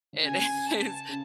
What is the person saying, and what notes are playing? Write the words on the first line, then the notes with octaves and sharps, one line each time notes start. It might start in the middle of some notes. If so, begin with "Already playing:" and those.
it is
D3
C#3 G#5
A5
C#3